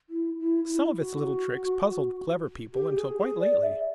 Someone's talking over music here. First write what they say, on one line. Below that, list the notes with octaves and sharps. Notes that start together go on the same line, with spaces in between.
Some of its little tricks puzzled clever people until quite lately.
E4
E4
E4
F#4
G4
G#4
G#4
D5
E5